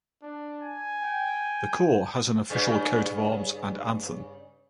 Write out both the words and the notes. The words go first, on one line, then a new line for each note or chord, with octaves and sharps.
The corps has an official coat of arms and anthem.
D4
G#5
G5
G2 C#3